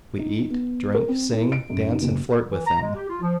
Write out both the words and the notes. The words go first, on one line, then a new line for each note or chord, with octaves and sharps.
We eat, drink, sing, dance, and flirt with them.
D#4
B3
A#4
C4
E4
D7
F#2
D#4
F#1
E3
A#5
G#3
G4
F4
F3